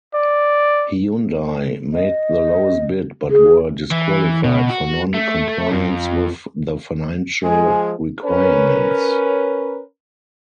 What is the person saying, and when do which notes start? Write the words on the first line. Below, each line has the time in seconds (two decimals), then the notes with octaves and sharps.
Hyundai made the lowest bid but were disqualified for non-compliance with the financial requirements.
0.14 D5
1.93 D#5
3.30 G#4
3.91 E3
4.44 B2
4.70 F#4
5.14 A3
5.71 F2
7.44 F3 G#3 G#5
8.24 C#4 A#4 B4